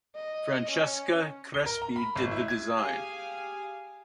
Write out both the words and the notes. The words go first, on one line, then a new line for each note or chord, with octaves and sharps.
Francesca Crespi did the design.
D#5
C#4
G7
A#4
A#5
B5
G#1
E4
G#6
G4 G#4 F5 G#5